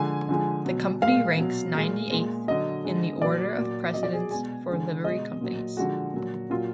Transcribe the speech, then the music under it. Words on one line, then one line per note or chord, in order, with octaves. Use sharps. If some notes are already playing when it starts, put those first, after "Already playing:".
The Company ranks ninety-eighth in the order of precedence for Livery Companies.
Already playing: D3 F3 G#3 G#5
D3 F3 G#3
B2 F#3
A#2 G#3 F5
B2 F#3
A#2 G#3
A#2 G#3
D3 F#3 D#5
D3 G#3
A#2 F#3 D5
A#2 F#3
B2 F#3 D#5
D5
G#4
B2 G#3 G#5
D3 G#3
B2 G#3 D#5
A#2 F#3
D3 F3 G#3 F#4
A#2 F#3
A#2 F#3 F4